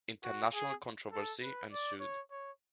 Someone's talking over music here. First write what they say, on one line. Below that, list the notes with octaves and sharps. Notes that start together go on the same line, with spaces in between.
International controversy ensued.
F#4
G#4
A4
B4
D5
C#5
C#5